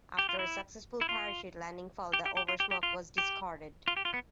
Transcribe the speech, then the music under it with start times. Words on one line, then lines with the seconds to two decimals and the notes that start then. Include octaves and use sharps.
After a successful parachute landing fall, the oversmock was discarded.
0.19 G4
0.29 F4
0.39 E4
1.01 E4
1.09 F4
2.13 G4
2.26 G4
2.37 G4
2.48 F4
2.60 G4
2.71 G4
2.83 F4
3.18 G4
3.88 F4
3.97 G4
4.05 F4
4.14 B3